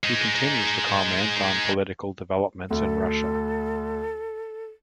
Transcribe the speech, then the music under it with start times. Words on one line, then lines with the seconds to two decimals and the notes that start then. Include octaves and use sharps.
He continues to comment on political developments in Russia.
0.04 G#3 D#4
2.71 D2 A4